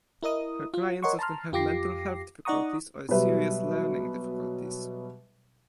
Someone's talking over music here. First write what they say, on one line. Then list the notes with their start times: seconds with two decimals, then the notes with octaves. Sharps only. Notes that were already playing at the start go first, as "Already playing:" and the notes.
Her clients often have mental health difficulties or serious learning difficulties.
0.23 E4 A#4 D#5 D#6
0.74 F4
1.03 A#4 C#5 D#5 F#5 C6 C#6
1.19 A5 A#5 C6 F6
1.52 F2 F4 G4 D6 A#6 C7
2.45 D#4 D5 F#5 A#5 C#6 D#6
3.09 B2 F#3 G3 B4 E5